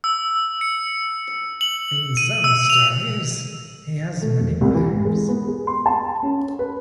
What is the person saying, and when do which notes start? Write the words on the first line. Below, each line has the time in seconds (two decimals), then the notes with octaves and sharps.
In some stories, he has many wives.
0.04 E6
0.61 C#7
1.61 F#7
2.17 D#7
2.44 E6
2.70 F7
4.21 A3
4.40 E1
4.61 C2
4.74 E3
4.90 G#2
5.05 G#3
5.29 B3
5.48 G#4
5.67 C6
5.86 A5
6.23 C#4
6.59 B4